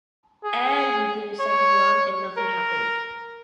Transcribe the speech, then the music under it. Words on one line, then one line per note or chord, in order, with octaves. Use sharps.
And we did a second run and nothing happened.
G#4
C#5
A#4